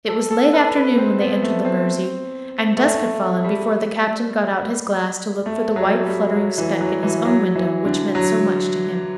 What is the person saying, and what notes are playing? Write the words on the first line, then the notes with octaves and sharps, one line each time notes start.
It was late afternoon when they entered the Mersey, and dusk had fallen before the Captain got out his glass to look for the white fluttering speck in his own window which meant so much to him.
A4
A4
B4
B4
C4
B3
A3
C4
A3
G3
A3
F#3
G3
F#3
E3
F#3
E3
F#3
E3
D3
F#3